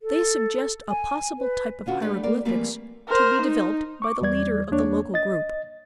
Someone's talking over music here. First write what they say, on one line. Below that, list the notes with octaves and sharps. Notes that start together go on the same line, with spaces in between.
They suggest a possible type of hieroglyphics to be developed by the leader of the local group.
A4
G#5
B4
D3 C#4 F4 F#4
A3 D4 G4 B4
A#3 A#4 D5
E3 F3 G3 A3 A#3 C4
A#4 C5
D#4
C#6 D6
E2 G3 D5 G#6
E2 A#3 D4 C#5
D#5 A6